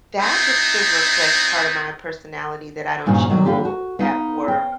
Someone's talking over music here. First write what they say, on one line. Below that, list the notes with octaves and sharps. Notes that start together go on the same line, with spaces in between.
that gets to reflect part of my personality that I don't show at work
B3 C4 D#4 E4 G#4 C5
G2 A#2 C#3 F3 D#4 F#4
B2 D#3 F#3
D3 F3 A#3 C#4 F4 G4
F#4
B3 D#4 F4
C5 G5